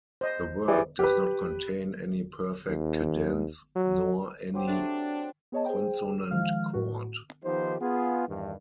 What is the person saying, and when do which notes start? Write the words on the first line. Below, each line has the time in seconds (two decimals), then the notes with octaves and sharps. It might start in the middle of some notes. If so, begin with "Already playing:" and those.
The work does not contain any perfect cadence, nor any consonant chord.
0.21 C5 D#5
0.68 E3 G4 G#4 D5
0.99 G4 B4
2.68 D#2
3.76 F#3
4.54 F#3 C4 G4
4.68 A3 D4 D6
5.52 B3 G#4 C#5 D#5 A5
5.65 G#4 C5 G5
6.31 D#3 F3 G#3 F5 F6
6.73 A2 F#4
7.44 D#3 F3 B3 D#4 G4 C5
7.80 B3 F4 G#4
8.27 E2 G2 D#3